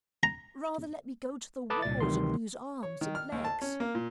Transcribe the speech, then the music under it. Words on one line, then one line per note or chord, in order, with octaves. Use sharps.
Rather let me go to the wars and lose arms and legs!
A#5
A4 B4 A5 B5 D6 D#6
C2 A#2 D5 A6
D2 C3 D#3 E3 G3 C6
C#5
D#3
F6
D#2
A5
C#4
A#3
A#2